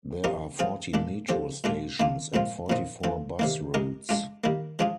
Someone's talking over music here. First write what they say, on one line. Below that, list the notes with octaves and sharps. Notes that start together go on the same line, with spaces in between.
There are fourteen Metro stations and forty four bus routes.
F3 C4 D#4 G4 A#4
F3 C4 F4 G#4
A#2 G#3 D4
D3 F3 C4 G4
A#2 G#3 D4 F4
D#3 A#3 D4 F4
A#2 F3 G#3 C4 F4
A#2 F3 C4 D#4
D3 F3 C4
C3 D#3 A#3
G#3 D#4 G4 A#4
G#3 D4 F4
D#3 G3 A#3
F3 G#3 D4 F4 G#4